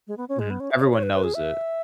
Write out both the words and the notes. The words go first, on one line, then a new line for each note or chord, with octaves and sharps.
Mhm, everyone knows it.
G#3
B3
C#4
G#3
B3
C#4
E5
C#5
C#5
B4
B4
G#4
E5